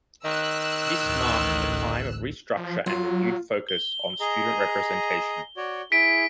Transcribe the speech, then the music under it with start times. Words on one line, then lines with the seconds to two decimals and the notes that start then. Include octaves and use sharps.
This marked a time of restructure and renewed focus on student representation.
0.25 D#3 E6 F#6
1.03 A1 D2
2.57 F3
2.86 F#3 F4
3.69 G7
4.20 G#4 D#5 A#5
5.57 F#4 C#5 D5
5.92 E4 G#4 B6 D7